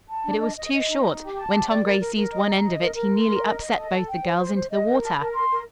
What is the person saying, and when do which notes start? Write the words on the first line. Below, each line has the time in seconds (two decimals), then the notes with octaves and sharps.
But it was too short; when Tom Gray seized one end of it he nearly upset both the girls into the water.
0.09 A5
0.24 D4
0.41 D#5
0.57 D#5
0.73 D#5
0.88 D#4
1.04 D#4
1.20 G4
1.36 A5
1.52 G4
1.68 D5
1.84 A#4
2.00 A#4
2.15 A#4
2.31 D#5
2.47 A#5
2.64 D#5
2.79 A#4
2.95 A#4
3.11 C6
3.26 A#4
3.43 D#5
3.59 D#5
3.74 A4
3.91 A4
4.07 G5
4.23 C5
4.38 C5
4.55 C5
4.70 D#5
4.87 A#4
5.02 A5
5.18 A#4
5.33 C6
5.50 A#4